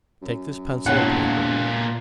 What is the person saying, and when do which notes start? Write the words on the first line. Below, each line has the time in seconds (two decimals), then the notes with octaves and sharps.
Take this pencil and paper.
0.22 F#2
0.86 E1 A#2 E4 F#4 C#5 F#5 A5